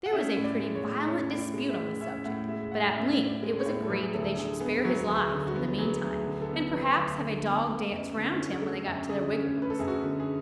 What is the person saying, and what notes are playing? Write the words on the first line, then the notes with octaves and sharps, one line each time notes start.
There was a pretty violent dispute on the subject; but at length it was agreed that they should spare his life in the mean time, and perhaps have a dog-dance round him when they got to their wigwams.
F#5
C#4 E5
A2
D5
G#3
C#5
A2
C#4 C#5
A2
D5
G#3
E5
A2
C#4 E5
A2 F#5
G#3 E5
A2 F#5
C#4 E5
A2
D5
G#3
C#5
A2
A4
F#3 B4
G#4
D2 A4
D3 G#4
B3 G#4
F#3 F#4
D2
G#4
D3
F#4
B3
F#3 G#4
D2
G#4
D3
A4
B3
F#3 B4
D2
D3
B3
A3
F#2
D3
C#4
G#4
A3 A4
F#2
D3 G#4
C#4
A3
B4
A4
F#2 G#4
F#4
D3
G#4